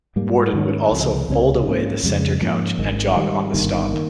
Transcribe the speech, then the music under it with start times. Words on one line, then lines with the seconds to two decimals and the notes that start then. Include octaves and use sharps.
Worden would also fold away the center couch and jog on the stop.
0.16 G#2 G3 A#3
0.54 G#2 D#3 G#3 C#4
0.91 C#2 C3 F3
1.29 C#2 C3 G3 C#4
1.66 G#2 G3 A#3 C#4
2.04 F2 C#3 G#3
2.41 G#2 F3 A#3 C#4
2.78 G#1 G#2 D#3 G#3
3.16 G#2 D#3 G3
3.53 G1 G2 D#3 A#3
3.91 D#3 A#3